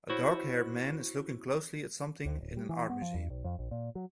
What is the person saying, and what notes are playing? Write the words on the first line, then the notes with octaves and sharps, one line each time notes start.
A darkhaired man is looking closely at something in an art museum.
E4 F#4 C5 C#5
D2
D1
G3
E3
B3
F3
E2
B1
F2
A#1
A#2
F#3